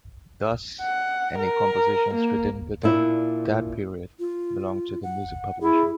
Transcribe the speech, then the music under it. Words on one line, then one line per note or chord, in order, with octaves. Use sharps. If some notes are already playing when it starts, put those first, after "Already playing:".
Thus, any compositions written within that period belong to the music publisher.
F#5
A#4
A#3
A#2 D4 E4
F4
F#5
E4 G#4